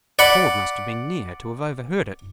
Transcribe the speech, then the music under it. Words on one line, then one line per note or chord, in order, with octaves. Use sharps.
Ford must have been near to have overheard it.
D5 F#5 B5